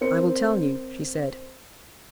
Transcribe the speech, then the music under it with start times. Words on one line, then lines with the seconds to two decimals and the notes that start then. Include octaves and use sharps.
"I will tell you," she said.
0.01 C4 A#4 C5 C#7